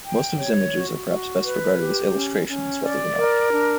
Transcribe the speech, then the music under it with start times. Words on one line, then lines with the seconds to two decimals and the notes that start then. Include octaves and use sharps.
Most of his images are perhaps best regarded as illustrations rather than art.
0.03 G5
0.37 C#5
0.73 F#4
1.08 F#4
1.43 B4
1.77 G4
2.12 C#4
2.48 C#4
2.82 D5
3.17 A#4
3.52 D4